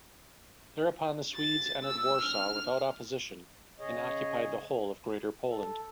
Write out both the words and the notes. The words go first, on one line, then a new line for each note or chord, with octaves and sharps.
Thereupon the Swedes entered Warsaw without opposition and occupied the whole of Greater Poland.
A6
E6
F6
C#3 G#4 C#5 D#5
A4